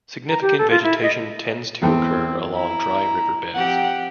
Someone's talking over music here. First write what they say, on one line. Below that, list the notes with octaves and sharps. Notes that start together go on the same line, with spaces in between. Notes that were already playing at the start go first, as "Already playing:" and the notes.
Significant vegetation tends to occur along dry river beds.
A#5
G4
A4
F4
E4
D#5
E2 C4 A4 G5
E4 A#5
F3 C4 G4 F#5